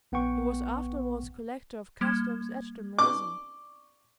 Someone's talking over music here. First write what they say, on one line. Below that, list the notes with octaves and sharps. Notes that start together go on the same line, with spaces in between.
He was afterwards Collector of Customs at the Mersey.
A#1 B3 F#5 G5 C#6
G3 A#3 G#6
D5 C#6 D6